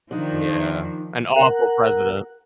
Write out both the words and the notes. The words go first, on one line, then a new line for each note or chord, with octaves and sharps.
Yeah, an awful president.
D#3 F3 D4 D#4
A#4 F#5